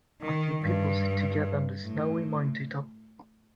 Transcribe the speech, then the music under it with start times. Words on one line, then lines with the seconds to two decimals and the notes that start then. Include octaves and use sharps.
A few people sit together on the snowy mountaintop.
0.21 D#3
0.62 G2
1.82 A2